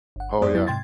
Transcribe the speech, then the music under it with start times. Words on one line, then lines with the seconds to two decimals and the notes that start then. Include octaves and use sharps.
Oh, yeah.
0.16 G1 F#5
0.42 F#2 B3 G4 C5 D5 D#6
0.54 F2 F#3 B3 E4 A6
0.67 G#2 C3 G5 C6 G#6 A6